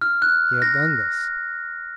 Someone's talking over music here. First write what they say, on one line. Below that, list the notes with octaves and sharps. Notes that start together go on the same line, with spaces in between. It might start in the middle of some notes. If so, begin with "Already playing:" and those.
He had done this.
F6
F#6
A#6